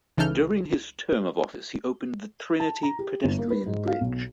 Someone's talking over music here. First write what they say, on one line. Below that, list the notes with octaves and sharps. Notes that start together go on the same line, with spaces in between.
During his term of office he opened the Trinity pedestrian bridge.
C#2 E3 D#4 A4 F6 G6
A5
A#5
G4
G1
A#3
B4
G#2
F5
B1